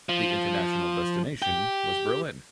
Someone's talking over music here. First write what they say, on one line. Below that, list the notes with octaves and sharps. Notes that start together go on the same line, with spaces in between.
The international destination was Berlin.
F3
G4